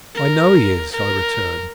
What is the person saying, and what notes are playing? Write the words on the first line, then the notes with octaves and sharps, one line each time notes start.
"I know he is," I returned.
A#4
A#4